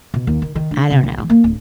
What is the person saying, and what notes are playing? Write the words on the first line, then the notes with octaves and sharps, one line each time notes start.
I don't know,
B2
D#2
D#3
D#3
D4
C3
C2
G3
A#3
D1